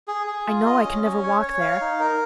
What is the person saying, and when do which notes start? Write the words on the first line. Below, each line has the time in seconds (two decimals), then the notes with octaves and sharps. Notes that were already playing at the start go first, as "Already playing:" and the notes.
I know I can never walk there.
0.08 G#4
0.27 G#4
0.47 F4
0.66 D#5
0.84 C#4
1.04 C#4
1.23 C#5
1.42 C#5
1.61 F5
1.81 D#4
2.00 A#4